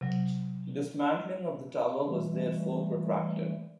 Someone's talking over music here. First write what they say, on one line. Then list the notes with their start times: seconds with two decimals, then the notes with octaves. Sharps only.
Dismantling of the tower was therefore protracted.
0.01 C3 F#3
2.06 E3 G3 A3